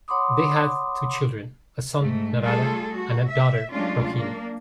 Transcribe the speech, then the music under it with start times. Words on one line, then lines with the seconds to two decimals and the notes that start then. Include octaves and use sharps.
They had two children, a son, Narada, and daughter, Rohini.
0.08 C#5 F#5 B5 C6 D6 D#6
2.01 G#2 A3
2.41 G3 A3 F4 G#4 A4
2.93 F#4
3.30 E5
3.72 F#3 G#3 A3 C#4 D4 F4
4.14 A#3 D4